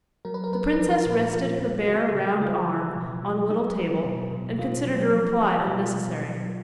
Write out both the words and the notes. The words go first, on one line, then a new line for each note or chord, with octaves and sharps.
The princess rested her bare round arm on a little table and considered a reply unnecessary.
F#3 A#4
B4
A#4
F#3 B4
A#4
B4
F3 A#4
B4
A#4
A#2 B4
A#4
F3 F4
A#2
C#3 F#4
C#3
C#3 F4
F3
B2
F#3
F#3 D#4
F#3
B2
B2
B2 F4
F#3
F3
F3
B2 F4
B2
F#3